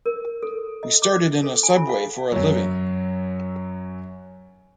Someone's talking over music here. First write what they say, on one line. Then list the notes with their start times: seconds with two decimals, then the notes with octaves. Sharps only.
We started in a subway for a living.
0.06 A#4
0.42 A4
0.83 D#5
1.02 D6
1.43 A4
1.63 G#5
1.77 F4
1.89 F5
2.32 F#2 F#3